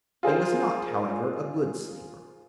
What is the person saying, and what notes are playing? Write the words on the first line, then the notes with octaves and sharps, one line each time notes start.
He was not, however, a good sleeper.
F4 G#4 A#4 C5